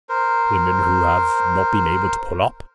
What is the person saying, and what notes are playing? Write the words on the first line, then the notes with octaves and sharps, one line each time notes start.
"The women who have--not been able to pull up?"
A#4 C5